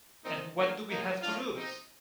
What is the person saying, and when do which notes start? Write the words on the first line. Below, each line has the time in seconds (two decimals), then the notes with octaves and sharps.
And what do we have to lose?
0.25 A#2 F3 C4 D#4
0.57 D3 F3 A#3
0.90 A2 F3 A#3 D#4
1.21 A2 A3 D4 F4
1.54 F3 C4 D#4